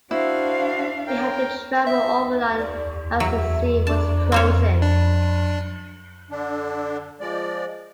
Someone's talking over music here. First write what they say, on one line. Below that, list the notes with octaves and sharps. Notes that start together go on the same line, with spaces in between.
He had to travel overland as the sea was frozen.
D4 E4 F#4 C5 F5
A#4 C#5 G5
E5
D5
F#3 E5
D4 A5
C4 C5 C#5
D4
D3 D4
F3 G#3 D5